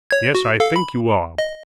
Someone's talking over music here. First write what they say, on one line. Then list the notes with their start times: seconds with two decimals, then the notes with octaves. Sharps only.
'Yes, I think you are.
0.11 C#5 G#6
0.35 F#4
0.60 A4 F5
0.76 B5
1.38 D#5